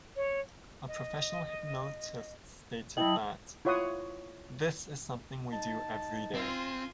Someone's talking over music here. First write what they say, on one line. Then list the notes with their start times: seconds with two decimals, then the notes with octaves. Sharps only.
A professional hypnotist stated that "This is something we do every day".
0.16 C#5
0.88 D#5
2.97 F#3 E4 D#5 G5 A5 D#6 F#7
3.65 E4 F4 C#5 F#5 C6 D#6
5.52 D#4 A5
6.34 C4 F4 G#5